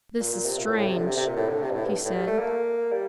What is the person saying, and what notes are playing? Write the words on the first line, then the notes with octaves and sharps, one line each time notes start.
"This is strange!" he said.
A#2
A#2
C3
A#2
A2
A2
C3
D3
C3
C3
A#2
A2
D3
C3
G2
A2
G2
A2
G3
A3
A#3
G3